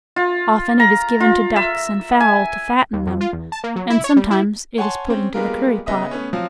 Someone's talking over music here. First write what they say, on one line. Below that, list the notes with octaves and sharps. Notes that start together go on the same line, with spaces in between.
Often it is given to ducks and fowl to fatten them, and sometimes it is put into the curry pot.
F4
A#5
F4
E5
G#5
D#2
F2
F4
E2
A5
A#3
F#3
E4
C#5
G3
E4
C#5 F#5 G#5 A5 C6
C4 C#4
G3 G#3 A#3 B3 F4 A#4
C#3 B3 D#5 E5 D#6
A3 B3 C#4
F3 F#3 C4 F4